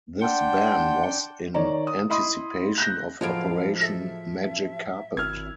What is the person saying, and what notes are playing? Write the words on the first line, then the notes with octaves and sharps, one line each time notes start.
This ban was in anticipation of Operation Magic Carpet.
D4 F#5 G5 C6
D#3 C#5 D5 A#5
D#6
E4 D#5 B5 C6 D#6
F#6 G6 A#6
A2 F3 F#3 G#3 F5 D7
A4 E5
G#1 E4 F6 G#6